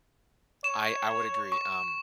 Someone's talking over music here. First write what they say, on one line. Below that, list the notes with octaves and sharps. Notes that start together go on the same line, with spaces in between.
I I would agree. Um,
C#5 E7
C#6